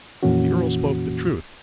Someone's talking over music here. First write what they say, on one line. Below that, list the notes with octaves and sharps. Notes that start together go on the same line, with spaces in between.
The earl spoke the truth.
F2 A#2 E3 A#3 C#4 F#4